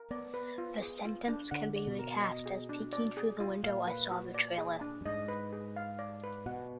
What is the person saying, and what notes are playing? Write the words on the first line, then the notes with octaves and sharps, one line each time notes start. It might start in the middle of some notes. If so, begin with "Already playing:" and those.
The sentence can be recast as, Peeking through the window, I saw the trailer.
Already playing: A#4
B3 D5
B4
F4
G#4
F4
D4
D3 F#5
D5
B2
A#4
D#5
G#4
D4
D5
G#4
F4
A#2 F5
B4
F#4
D5
G#4
D4
F#2
G#2 D#5
B4
G#4
F5
D5
B4
B2 F#5